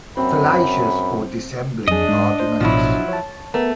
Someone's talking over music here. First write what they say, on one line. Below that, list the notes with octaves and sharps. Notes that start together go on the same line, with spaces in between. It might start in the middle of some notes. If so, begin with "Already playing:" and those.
Fallacious or dissembling arguments.
F#2 C4 B5
F2 D4 G#4 D#5
G#2
C5
A1 B2 F3 F#3 E4 C#5
C#5 A5
A3 B3 A#4